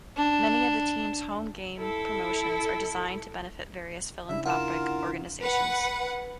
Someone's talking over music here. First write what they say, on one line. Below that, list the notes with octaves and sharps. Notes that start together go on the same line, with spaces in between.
Many of the team's home game promotions are designed to benefit various philanthropic organizations.
D4
E4 A4
C#3 D4 E4 E5
F4 A#4 F#5 E7
B4 F#5